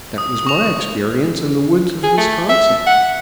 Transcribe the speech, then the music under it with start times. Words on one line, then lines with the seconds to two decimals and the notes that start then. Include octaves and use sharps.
That was my experience in the woods of Wisconsin.
0.18 D#6
0.47 C#6 F7
2.03 G#4
2.17 A3
2.49 E5
2.86 F#5